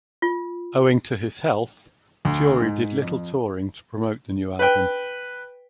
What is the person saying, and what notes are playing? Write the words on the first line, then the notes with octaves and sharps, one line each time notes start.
Owing to his health, Fury did little touring to promote the new album.
F4
D2
G#2
F2
B4 G5